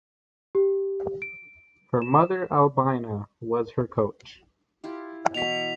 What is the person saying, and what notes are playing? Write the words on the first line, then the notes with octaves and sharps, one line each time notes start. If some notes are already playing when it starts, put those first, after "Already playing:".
Her mother, Albina, was her coach.
G4
D7
E7
E4 F4 G4
B2 E3 F#3 B6 F7